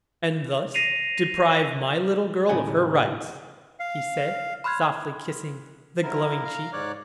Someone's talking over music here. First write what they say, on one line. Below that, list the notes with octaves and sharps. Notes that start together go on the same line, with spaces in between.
"And thus deprive my little girl of her rights," he said, softly kissing the glowing cheek.
A#6 C7 D#7 F7
D#2 A2 C#3 G#4 F#5 G#5
F5
B5 C6 F6 F#6 G#6
D3 E4 A#4
F5 A#5 F6
G#2 C#5 D5 D6 F#6